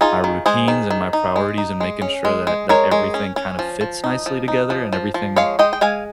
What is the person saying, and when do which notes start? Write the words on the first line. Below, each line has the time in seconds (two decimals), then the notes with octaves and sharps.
my routines and my priorities and making sure that that everything kinda fits nicely together and everything
0.01 D#4 F4 G#4
0.24 D#3
0.46 G#3 G#4 C5
0.68 D#3
0.91 D#3
1.13 D#4
1.36 G#3
1.58 D#4
1.80 G#3
2.02 C#4
2.25 G#3
2.47 G#3
2.69 G#3 A#4 C#5
2.91 G#3
3.14 C#4
3.36 C#4
3.59 F3
3.81 F3
4.04 D#4
4.26 F3
4.48 D#4
4.70 F3
4.93 F3
5.14 F3
5.36 G#3 C#5 F5
5.59 G#3 D#5 G5
5.73 G5
5.81 G#3 F5 G#5